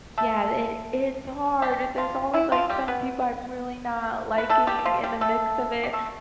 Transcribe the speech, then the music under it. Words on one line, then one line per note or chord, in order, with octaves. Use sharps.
Yeah, th it it's hard, it there's always, like, some people I'm really not liking in the mix of it.
A3 A4
G3 G4
F3 F4
E3 E4
F3 F4
G3 G4
B3 B4
B4
A3 A4
G3 G4
G4
F3 F4
G3 G4
A3 A4
G4
A3 A4